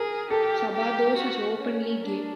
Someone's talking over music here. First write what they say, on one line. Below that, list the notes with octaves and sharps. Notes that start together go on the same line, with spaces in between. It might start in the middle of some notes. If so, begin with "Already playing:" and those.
Sabados is openly gay.
Already playing: G#4 A#4
G4 A4
G4
F#4
C#4
D4